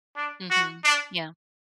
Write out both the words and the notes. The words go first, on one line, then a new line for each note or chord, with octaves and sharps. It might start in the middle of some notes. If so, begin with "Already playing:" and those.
Mhm. Yeah.
D4
F#4
D4